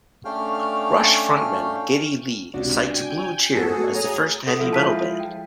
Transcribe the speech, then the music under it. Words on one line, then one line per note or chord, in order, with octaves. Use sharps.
Rush frontman Geddy Lee cites Blue Cheer as the first heavy metal band.
A3 C#4 D4 F5 G5 F6
C#2 C3 D4 F#4
G5 G#5
G#2 B3 F#4 G#4 A4
A3
G#4 C#5 F#5 A#5 D#6
A4 F#5 D#6
F3 G#3 E4
A5 B6 D#7
G5